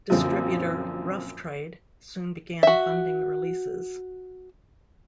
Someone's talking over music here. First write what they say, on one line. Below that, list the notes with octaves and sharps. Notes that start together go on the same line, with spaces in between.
Distributor Rough Trade soon began funding releases.
F#2 A#2 D3 F3 C4
F#4 E5